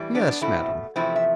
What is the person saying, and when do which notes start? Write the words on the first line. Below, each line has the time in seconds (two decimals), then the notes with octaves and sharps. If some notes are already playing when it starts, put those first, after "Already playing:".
"Yes, madam."
Already playing: A2 E3 G3
0.15 B3 D4
0.41 B2 A3 C4 E4
0.96 E2 C3 F3 A3 C4 E4
1.16 E5